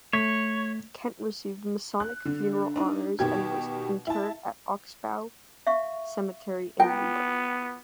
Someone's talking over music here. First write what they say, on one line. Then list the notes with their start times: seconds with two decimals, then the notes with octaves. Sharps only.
Kent received Masonic funeral honors and was interred at Oxbow Cemetery in Newbury.
0.13 A3 C#5 B6
2.00 F#6
2.25 D3
2.76 D4 D#4
3.19 B2 D#3 G4 G#6
4.07 E4 A5
5.67 E5 F5 C#6
6.80 B3 E4 F4 G5